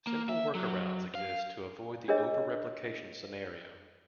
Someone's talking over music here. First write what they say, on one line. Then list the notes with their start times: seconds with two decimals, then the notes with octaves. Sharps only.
Simple workarounds exist to avoid the over-replication scenario.
0.07 A#3
0.29 E5
0.55 F#3
1.15 F5
2.08 D4 G#4 A#4 C#5 D#5